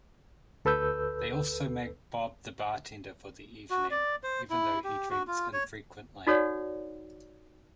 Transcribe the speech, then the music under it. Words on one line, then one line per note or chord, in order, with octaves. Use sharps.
They also make Bob the bartender for the evening even though he drinks infrequently.
D2 A4 B4 E6 G6
F#4
D5
C5
E4
G4
F#4
F4
C#5
D#4 F#4 A4 C#5 D5 F#5